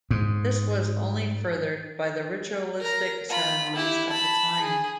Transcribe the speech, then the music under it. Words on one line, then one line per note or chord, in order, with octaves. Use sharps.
This was only furthered by the ritualistic ceremonies of the time.
G#2
A#4 A#5
F4 B5
E4 G4
A5 B5
G#4